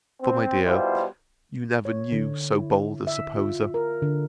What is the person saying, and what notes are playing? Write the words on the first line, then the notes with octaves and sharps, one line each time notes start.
For, my dear, you never knew so bold a supposer.
C4
B2 G3 E4 F4 C5
C#5
D3
E4
E5
F4
A#4
D3